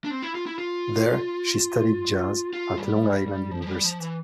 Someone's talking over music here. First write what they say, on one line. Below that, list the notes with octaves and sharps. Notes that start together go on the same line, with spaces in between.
There she studied jazz at Long Island University.
D4
C4
E4
F4
E4
F4
F4
G3
F3
F3
G3
F3
E3